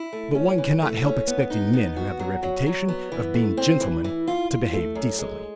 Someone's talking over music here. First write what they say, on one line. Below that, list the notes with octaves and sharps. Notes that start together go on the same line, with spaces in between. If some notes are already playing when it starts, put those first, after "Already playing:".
"But one cannot help expecting men who have the reputation of being gentlemen to behave decently."
Already playing: E4
A3
C#4
E3
A3
C#4
B3
D#4
B3
F#4
F#3
F#3
F#3
B3
E3
A3
C4
E3
E3
F4
F4
A3
F#2
G#3